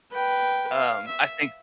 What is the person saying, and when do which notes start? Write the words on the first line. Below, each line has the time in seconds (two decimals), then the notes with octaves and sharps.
um, I think
0.12 B4 G5
0.73 F5
1.07 E5